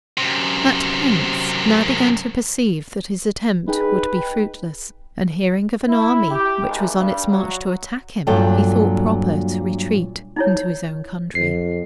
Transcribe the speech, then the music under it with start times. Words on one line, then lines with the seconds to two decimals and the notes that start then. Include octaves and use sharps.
That prince now began to perceive that his attempt would be fruitless; and hearing of an army which was on its march to attack him, he thought proper to retreat into his own country.
0.18 F#2 C3
3.68 D#4 G#4 B4 G5
5.88 E4
6.31 G4
6.64 G#1
6.97 G2
7.29 F#3
8.27 G2 A#2 F#3 F4 A4 G5
10.36 D#4 E4 C#5
11.35 F2 C7